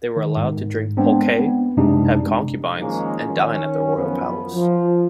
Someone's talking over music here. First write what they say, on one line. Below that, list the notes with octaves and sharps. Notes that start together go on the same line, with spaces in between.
They were allowed to drink "pulque", have concubines, and dine at the royal palace.
D#3
G#2
G#3 B3 C4 D4
B3
F#2 C3 G#3 D4 D#4
D#3 F3 G#3 A#3 C#4 D#4
D#3 C#4
F#2 F3 B3
F3